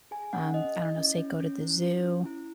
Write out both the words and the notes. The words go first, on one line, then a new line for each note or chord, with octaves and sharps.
um, I don't know, say go to the zoo
G#4 G#5
C#4 F#5
G#4 D#5
E4
C#4
C#4
C#4
E4
C#4
C#4
E4